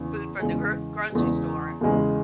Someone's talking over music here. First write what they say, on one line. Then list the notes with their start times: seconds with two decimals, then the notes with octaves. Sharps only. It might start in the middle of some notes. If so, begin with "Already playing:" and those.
food from the gr grocery store
Already playing: E2 C#3
0.40 E2 C#3 G#3
1.10 E2 C#3 G#3
1.81 E2 C#3 G#3